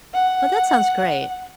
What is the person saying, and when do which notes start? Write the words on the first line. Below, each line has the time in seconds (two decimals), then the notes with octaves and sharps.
Well, that sounds great.
0.14 F#5